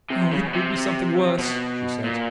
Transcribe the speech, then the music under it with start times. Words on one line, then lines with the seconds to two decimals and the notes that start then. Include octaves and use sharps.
'Oh, it will be something worse,' she said.
0.10 C3
0.31 C#3
0.47 B2
0.53 C3
1.38 B2
2.04 A#2